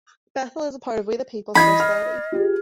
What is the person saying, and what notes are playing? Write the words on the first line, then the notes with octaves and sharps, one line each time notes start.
Bethel is a part of "We The People's" "First Thirty".
E3 D#5 B5 G#6 C7
F6
F4 G4 G#4